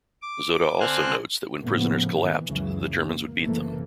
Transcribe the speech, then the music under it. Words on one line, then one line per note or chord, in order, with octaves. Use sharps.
Zotta also notes that when prisoners collapsed the Germans would beat them.
D6
D3 C4 C5 G#5 F6 F#6
A2 C#3 F3 A#3 B3
G#2 D#3 E3
C#2 F#2 C#3 E3 F#3
A#3
F#1 C3 E3 A3 A#3